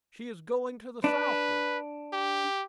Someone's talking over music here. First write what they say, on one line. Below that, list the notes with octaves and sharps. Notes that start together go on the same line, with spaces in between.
"She is going to the southward."
D4 B4
G4